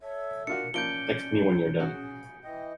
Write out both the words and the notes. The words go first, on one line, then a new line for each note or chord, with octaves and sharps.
Text me when you're done.
A4 C#5 E5
D4 F4 F#4 A#4 C#7
F3 A#3 C#4 D5 G6 D7 G7
C#3 C#4 F#4 G#4
E3 D#5 G5